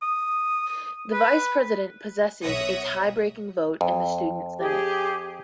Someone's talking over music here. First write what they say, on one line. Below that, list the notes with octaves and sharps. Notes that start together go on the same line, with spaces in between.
The vice-president possesses a tie-breaking vote in the Student Senate.
D#6
B4
B1 C#5 E5 F#5 D#6 A#6
F2
G4 G#4